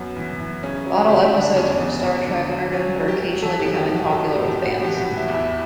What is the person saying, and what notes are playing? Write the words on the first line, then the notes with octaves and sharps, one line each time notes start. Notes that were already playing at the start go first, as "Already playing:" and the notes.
Bottle episodes from "Star Trek" are known for occasionally becoming popular with fans.
Already playing: F#2 B3
E3
E3
C#3 C#4
F#3
C#3 G4
F#4
E4
D3 D4
E2 C#4
E2 B3
E2 C#4
D3
F#3
F#3 C#4
F#3
G4
F#3
E3 A4
G4
F#2
G4
F#2
F#4
F#3 A4
G4
A2
F#4
G4
A2
F#4
E3 G4
F#4
E3
E4
E2
E4